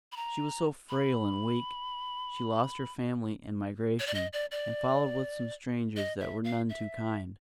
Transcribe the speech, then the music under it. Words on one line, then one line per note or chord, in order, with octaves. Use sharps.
She was so frail and weak she lost her family in migration, and followed with some strangers that were none too kind.
B5
A#5
B5
C#5
D5
D#5
D5
D5
D#5
E5
F5
E5